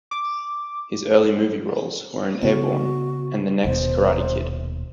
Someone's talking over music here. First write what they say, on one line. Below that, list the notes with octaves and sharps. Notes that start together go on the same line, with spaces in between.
His early movie roles were in "Airborne" and "The Next Karate Kid".
D6
C#3 B3 F#4
D#1 D#2 B2 C5